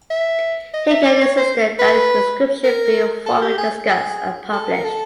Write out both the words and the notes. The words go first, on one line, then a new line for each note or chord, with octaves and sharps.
He again insisted that the inscription be formally discussed and published.
E5
D#5
E5
D5
C#5
C5
B4
A#4
A4
G4
G#4
G#4
A4
A#4
A4